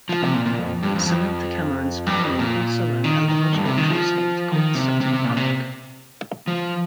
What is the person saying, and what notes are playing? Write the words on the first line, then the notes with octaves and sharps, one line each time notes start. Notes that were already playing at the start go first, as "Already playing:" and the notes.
Samantha Cameron's family also own a large Yorkshire estate called Sutton Park.
F3
C3
A#2
A#2
F2
G2
F2
F2
G2
F2
A#2
D#3
D#3
G2
C3
D#3
F3
D#3
C3
C3
C3
A#2
C3
F3